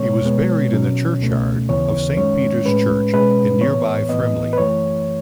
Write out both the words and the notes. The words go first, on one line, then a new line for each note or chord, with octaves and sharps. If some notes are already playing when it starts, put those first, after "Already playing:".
He was buried in the churchyard of Saint Peter's Church in nearby Frimley.
Already playing: B2 G#3 B3 C#5
B2 G#3 B3
B2 F#3 C#4
C#2 B2 A3 C#4
D#2 C#3 E3 B3 C#5
F#2 D#3 G#3 C#4 C#5
A2 G#3 C#4 B4
B2 G#3 C#4 B4
A2 E3 B3 C#5
A2 E3 B3 D#5
B4
F#2 E3 A3 C#5